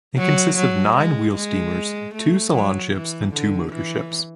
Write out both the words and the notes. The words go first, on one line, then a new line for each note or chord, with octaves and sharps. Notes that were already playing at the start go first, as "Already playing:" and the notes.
It consists of nine wheel steamers, two salon ships and two motor ships.
F#3
F#3
G#3
G#3
A3
F#3
E3
D3
E3